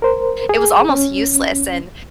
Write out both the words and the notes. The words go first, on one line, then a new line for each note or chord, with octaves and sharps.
it was almost useless and
A#4 C5
G#4
C#4